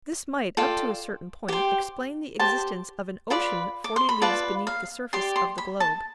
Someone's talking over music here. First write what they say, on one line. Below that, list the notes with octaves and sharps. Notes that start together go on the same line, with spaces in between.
This might up to a certain point explain the existence of an ocean forty leagues beneath the surface of the globe.
F4 A4 D5 G5
G4 C5 G5
G4 C5 A5
F4 B4 D5 B5
D6
C6
B5
F4 B4 D5 A5
F5
G4 D5 C6
C6
B5
A5